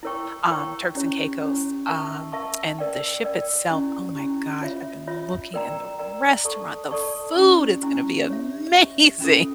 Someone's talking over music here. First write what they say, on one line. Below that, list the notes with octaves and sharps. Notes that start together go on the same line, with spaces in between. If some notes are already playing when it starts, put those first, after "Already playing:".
um, Turks and Caicos. Um, and the ship itself, oh my gosh, I've been looking, and the restaurant, the food is gonna be amazing.
E4 A#4 C#5 G5 C#6
E4 A#4 C#5 G5 C#6
C#4 E4 G4 C#5
C#4 E4 G4 C#5
A#4 E5 A5 C#6
A#4 E5 A5 C#6
A#4 D5 G5
A#4 D5 G5
C#4 E4 G4
C#4 E4 G4
F4 C#5 E5
F4 C#5 E5
A#4 D5 G5 A#5
A#4 D5 G5 A#5
A4 D5 A5 C#6
A4 D5 A5 C#6
C#4 E4 G4
C#4 E4 G4
G4 C#5 E5
G4 C#5 E5
C#4 F4 A4